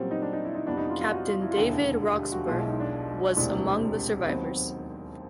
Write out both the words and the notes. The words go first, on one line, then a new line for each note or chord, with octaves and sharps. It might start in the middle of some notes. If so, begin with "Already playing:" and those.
Captain David Roxburgh was among the survivors.
Already playing: A#2 F#3 G3 A#3 C4 C#4
D#4
D4
D#4
E4
D#4
F2 C3 E3 G3 B3 D4
D#4
F4
F4
F#4
F4
E4
F4
E1 D#2 D3 E4
F4
G4
F#4
B1 B2 G#3 F4
E4
D#4
D4
E1 D2 C3 E3 D4
D#2 D#3 F#3 B3 C4 D#4